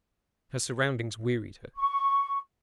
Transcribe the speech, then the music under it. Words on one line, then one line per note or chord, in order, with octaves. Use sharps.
Her surroundings wearied her.
C#6